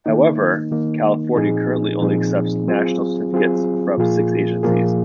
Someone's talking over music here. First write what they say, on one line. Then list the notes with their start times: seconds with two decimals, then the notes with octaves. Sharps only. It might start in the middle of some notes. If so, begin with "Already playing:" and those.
However, California currently only accepts national certificates from six agencies.
0.06 D#3 A#3 D#4
0.71 D#3 A#3 D#4
1.36 A#2 F3 C4 D#4 G#4
2.01 A#2 F3 C4 D#4 G#4
2.67 F#3 C4 F4 G#4
3.32 F#3 C4 F4 G#4
3.98 A#2 F3 A#3 F4 G#4
4.63 A#2 F3 A#3 F4 G#4